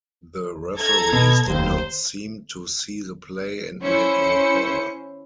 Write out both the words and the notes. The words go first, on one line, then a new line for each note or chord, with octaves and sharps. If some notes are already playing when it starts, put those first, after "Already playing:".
The referees did not seem to see the play and made no call.
A4 A#5 G#6
B2
F1 D#2 C5
C#4 E4 C5 C#7